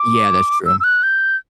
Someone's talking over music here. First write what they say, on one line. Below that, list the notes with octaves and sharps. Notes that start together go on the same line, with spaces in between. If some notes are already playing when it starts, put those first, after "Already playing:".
Yeah, that's true.
Already playing: D6
E6
E6
F#6
G6